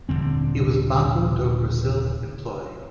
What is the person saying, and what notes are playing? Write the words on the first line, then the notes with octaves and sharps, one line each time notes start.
He was Banco do Brasil employee.
D#1 C2 D3 C4